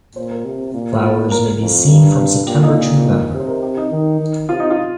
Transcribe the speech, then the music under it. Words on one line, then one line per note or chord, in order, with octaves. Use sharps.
Flowers may be seen from September to November.
A#2 C5
A#4
C3
A#2
F4
A#4
F2
G2
A#2 G4
F4
D#4
F4
D#4
C3
C5
A#4
G4
D#4
D#3
D#3
C3 F4
D#4
F4